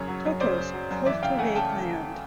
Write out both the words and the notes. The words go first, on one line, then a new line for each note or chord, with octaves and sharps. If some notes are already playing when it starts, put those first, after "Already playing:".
Totos cultivate land.
Already playing: F#2 C#3 C#5
F#3
F#2
C#3 C5 D5
F#2
F#3
F#2
E3 D5 E5
C#3 F5 G5
A3 F#5 G#5
C#3 G5 A5